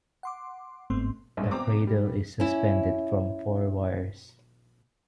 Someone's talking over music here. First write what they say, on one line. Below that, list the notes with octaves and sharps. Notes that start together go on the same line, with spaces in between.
The cradle is suspended from four wires.
F#5 C6 D6
G1 G#2 A3 B3 C4 C6
A#1 G2 G#3
B2 C4 A#5 D6
G3
C#4 E4